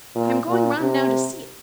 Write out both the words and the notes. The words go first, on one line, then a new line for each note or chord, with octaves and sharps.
I am going round now to see it.
A#2
A#2
C3